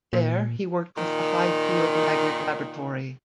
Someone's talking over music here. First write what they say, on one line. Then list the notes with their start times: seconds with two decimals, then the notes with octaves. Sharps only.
There he worked with the High Field Magnet Laboratory.
0.13 A#2
0.97 A#2 D#3